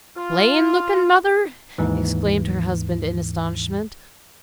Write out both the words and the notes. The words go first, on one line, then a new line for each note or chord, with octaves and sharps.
"PLAIN LOOKING, mother?" exclaimed her husband in astonishment.
F4
D#2 G#2 E3